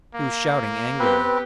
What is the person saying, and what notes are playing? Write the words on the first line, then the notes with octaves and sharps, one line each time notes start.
He was shouting angrily.
A#3
B3 C4 G4 B4